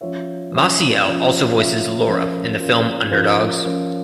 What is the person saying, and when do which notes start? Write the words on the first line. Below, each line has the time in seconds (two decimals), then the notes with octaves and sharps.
Maciel also voices Laura in the film "Underdogs".
0.01 F3 C#4 F4 C#5 E5
0.52 F3 C#4 F4 C#5 E5
1.04 F3 C#4 F4 C#5 E5
1.56 F3 C#4 F4 C#5 E5
2.07 F3 C#4 F4 A#4
2.60 F3 C#4 F4 A#4
3.11 F3 C#4 F4 A#4
3.62 F3 C#4 F4 A#4